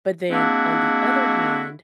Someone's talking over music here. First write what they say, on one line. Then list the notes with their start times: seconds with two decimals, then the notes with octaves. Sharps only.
but then on the other hand,
0.31 G#3 A#3 C4 D4 E4 F#4